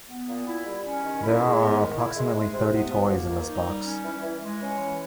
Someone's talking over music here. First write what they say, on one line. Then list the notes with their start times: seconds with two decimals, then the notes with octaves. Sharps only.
There are approximately thirty toys in this box.
0.10 B3
0.29 A#2
0.47 E4
0.66 G3
0.85 C#4
1.04 D#3
1.22 E4
1.42 G#3
1.60 B3
1.79 D#3
1.98 E4
2.17 G#3
2.36 G#3
2.54 C3
2.73 B3
2.92 F3
3.10 A#3
3.30 D#3
3.48 D#4
3.67 G3
3.86 C#4
4.05 E3
4.24 E3
4.42 G#3
4.61 C#4
4.80 E3